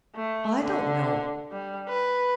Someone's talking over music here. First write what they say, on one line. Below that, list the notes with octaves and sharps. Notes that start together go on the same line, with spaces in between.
I don't know.
A3
D3
G3
B4